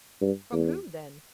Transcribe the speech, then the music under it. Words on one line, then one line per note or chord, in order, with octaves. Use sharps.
"From whom, then?"
G2
E2